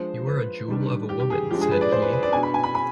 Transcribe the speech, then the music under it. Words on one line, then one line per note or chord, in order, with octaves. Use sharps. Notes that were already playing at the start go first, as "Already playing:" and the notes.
"You are a jewel of a woman," said he.
Already playing: F3 G#3 D4 C5
B4
D#3 G3 D4
G4
G4
G#4
F3 G#3 D4 G4
G#4
B4
D5
C5
B4
B4
D5
B2 B3 D4 G#5
B5
G#5
B5
B5